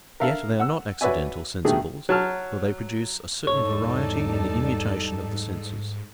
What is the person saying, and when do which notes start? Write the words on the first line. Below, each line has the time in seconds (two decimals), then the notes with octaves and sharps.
Yet they are not accidental sensibles, for they produce a certain variety in the immutation of the senses.
0.20 A#4 E5 F5 A5
0.60 F#5 E6
1.01 F#4 B4 C#5 D5 E5 G#5
1.65 B2 D#3 A3 G4 G#4
2.09 F#3 A5 F6
3.47 E2 G#2 G3 D#4 A4 C#5 D5 A5